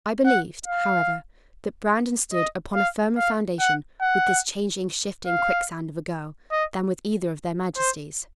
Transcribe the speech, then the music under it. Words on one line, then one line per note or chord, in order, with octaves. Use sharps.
I believed, however, that Brandon stood upon a firmer foundation with this changing, shifting, quicksand of a girl than with either of their majesties.
F#5
F5
D#5
F5
F5
F#5
F#5
F5
D#5
C5